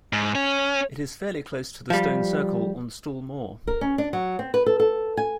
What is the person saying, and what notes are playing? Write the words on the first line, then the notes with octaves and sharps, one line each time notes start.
It is fairly close to the stone circle on Stall Moor.
G#2
C#4
F3 G3
A#4
C#4
D4
F#3
C4
B4
A4
A4
G#5